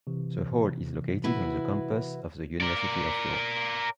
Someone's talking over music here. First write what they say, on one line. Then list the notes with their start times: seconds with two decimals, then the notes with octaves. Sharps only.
The hall is located on the campus of the University of York.
0.07 C3 E3
1.24 E4 F#4 B4
2.61 A#4 D5